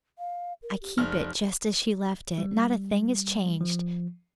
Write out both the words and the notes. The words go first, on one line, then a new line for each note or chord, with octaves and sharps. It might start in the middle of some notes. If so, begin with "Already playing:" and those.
I keep it just as she left it, not a thing is changed.
F5
A#4
G4
F1 D5 F6
G3
F3